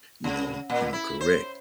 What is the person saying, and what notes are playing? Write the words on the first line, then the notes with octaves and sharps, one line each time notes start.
you know you know, correct.
C#3
A#2
E4
C5